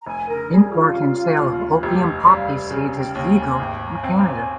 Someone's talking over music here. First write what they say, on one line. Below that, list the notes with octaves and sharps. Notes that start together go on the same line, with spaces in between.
The import and sale of opium poppy seeds is legal in Canada.
A#5
F1 G#5
A#4
G3 G#4
F4
C#3
D#2
F1 G4
F5
D#5
G3 F5
C#3 G#5
G5
D#2 G5
G#5
G#1 G5
A#5
G#5
C4 G5
A#5
G#5